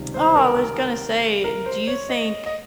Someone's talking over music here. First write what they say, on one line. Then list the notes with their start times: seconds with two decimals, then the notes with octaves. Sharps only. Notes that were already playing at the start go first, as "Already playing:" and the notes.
Oh, I was gonna say, do you think
Already playing: C#2 C3 D#3 G3
0.14 C5
0.36 A#4
1.44 A#4
1.66 C5
1.87 C#5
2.09 D#5
2.46 D#5